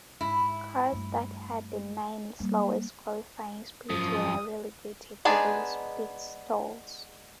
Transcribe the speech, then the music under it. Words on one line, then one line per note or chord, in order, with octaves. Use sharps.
Cars that had the nine slowest qualifying speeds were relegated to these pit stalls.
G#2 E4
G2 A3
G3 A#3
F#2 F3 D#6
G#3 B3 D4 D#4 G#4